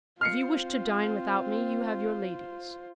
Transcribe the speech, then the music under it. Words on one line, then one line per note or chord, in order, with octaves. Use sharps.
If you wish to dine without me you have your ladies.
C4 F4 C5 F6 C7 C#7